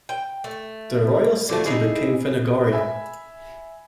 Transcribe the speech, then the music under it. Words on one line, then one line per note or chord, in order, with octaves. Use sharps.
The Royal city became Phanagoria.
G5
A3
D3 A3
D#4 E4 G#4
E5 G#5 B5